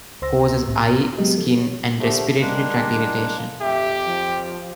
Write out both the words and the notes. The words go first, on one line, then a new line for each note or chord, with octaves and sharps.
Causes eye, skin, and respiratory tract irritation.
C#2 C5 C6 E6 A#6
C2 A2
F#3 G#3 B3 G4 D#5
F3 A4
C#5
D3 F3 A3 G4
G3 G#3 A#3 D4
F2 G4 E5
F3